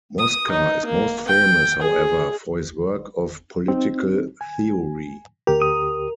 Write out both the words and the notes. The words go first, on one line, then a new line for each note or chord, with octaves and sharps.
Mosca is most famous, however, for his works of political theory.
D#6
D#4
A#3
G5
G#4
C4 D#4
G#5
D2 G4 A#4
D#6